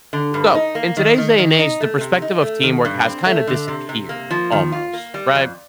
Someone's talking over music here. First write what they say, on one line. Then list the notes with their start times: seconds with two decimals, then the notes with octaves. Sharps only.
So, in today's day and age, the perspective of teamwork has kinda disappeared, almost, right?
0.13 D3
0.34 G2
0.55 D#4
0.75 A#3
0.97 D#3
1.18 D#3
1.38 D#3
1.59 D#4
1.80 A3
2.01 C3
2.22 D#4
2.42 A3
2.63 D#3
2.85 G2
3.05 C4
3.26 A3
3.47 D3
3.68 C3
3.89 C3
4.09 A#3
4.31 F3
4.52 D#3
4.72 F4
4.93 A#3
5.14 G3
5.35 F2